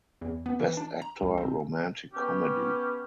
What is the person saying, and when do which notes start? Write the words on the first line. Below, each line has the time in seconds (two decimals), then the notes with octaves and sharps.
Best Actor Romantic Comedy.
0.21 E2
0.46 B3
0.60 E3
0.77 D4
1.02 A#5
1.22 C#2
1.38 C4
2.13 B3 C#4 G4